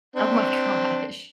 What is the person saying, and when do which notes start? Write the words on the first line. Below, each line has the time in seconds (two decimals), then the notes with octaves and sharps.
Oh my gosh.
0.16 C4 D4